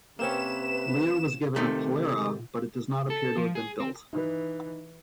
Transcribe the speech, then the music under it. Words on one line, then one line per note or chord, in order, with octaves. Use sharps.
Lear was given a Polara but it does not appear to have been built.
C3 A#3 C4 C#4 B4 E7
C3 D#3 A3
A4
F3
G#4
C4
E3 D#4 B4